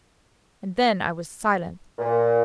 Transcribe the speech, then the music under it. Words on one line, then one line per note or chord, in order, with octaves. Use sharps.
And then I was silent.
A#2